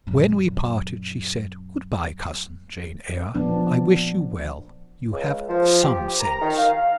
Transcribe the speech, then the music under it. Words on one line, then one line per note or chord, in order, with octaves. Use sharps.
When we parted, she said: "Good-bye, cousin Jane Eyre; I wish you well: you have some sense."
F#2 A#2
A#2 F3 B3 D4
C#2
F3
G4
A#5
D#3
F5